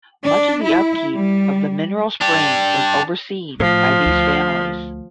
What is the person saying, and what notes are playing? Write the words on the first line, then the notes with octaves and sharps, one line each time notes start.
Much of the upkeep of the mineral spring was overseen by these families.
D4
E4
G3
D4 G4
A2 F3
D2